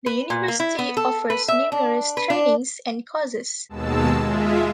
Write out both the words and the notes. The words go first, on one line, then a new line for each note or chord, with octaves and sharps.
The university offers numerous trainings and courses.
B4
A#2
A#3
E4
B3
A4
B4
E5
D4
B4
D4
D#2 B2 G#3 A5 E6
G#3 F4 E5